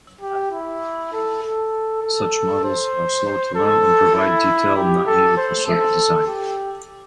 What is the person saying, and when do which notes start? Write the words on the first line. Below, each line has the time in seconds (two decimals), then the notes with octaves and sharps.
Such models are slow to run and provide detail not needed for circuit design.
0.21 G4
0.51 E4
1.13 A4
1.43 A4
2.03 A4
2.64 C5
3.55 A4
4.15 E4
4.76 G4
5.06 A4
5.37 C5
5.67 A4
6.27 G4